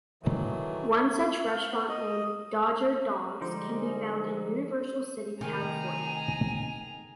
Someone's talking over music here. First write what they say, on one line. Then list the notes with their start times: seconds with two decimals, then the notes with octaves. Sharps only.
One such restaurant named Dodger Dogs can be found in Universal City, California.
0.23 D#3 E3 F#3 A3
1.47 F5
1.71 B3
1.89 D#5
3.41 D3 F3 G3 G#3 D#4 C5
5.41 C3 D#3 A3 G#4 G#5 A#5